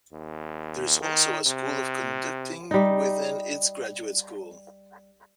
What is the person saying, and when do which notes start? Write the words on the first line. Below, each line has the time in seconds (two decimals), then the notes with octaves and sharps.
There is also a School of Conducting within its Graduate School.
0.12 D#2
1.02 D#3
1.47 C3
2.71 G3 D#4